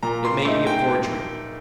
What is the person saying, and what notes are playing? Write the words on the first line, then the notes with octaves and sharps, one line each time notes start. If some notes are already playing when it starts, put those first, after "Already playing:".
It may be a forgery.
A#2 A#5
C6
A3 D#4 C6
G5